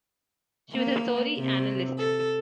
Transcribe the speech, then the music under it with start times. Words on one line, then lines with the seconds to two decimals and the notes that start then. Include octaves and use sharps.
She was a story analyst.
0.74 A#3
1.38 C3
1.98 A4